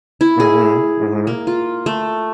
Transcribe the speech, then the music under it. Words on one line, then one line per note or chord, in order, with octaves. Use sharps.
Mhm, mhm.
E4
G#4
A#3
F4
A3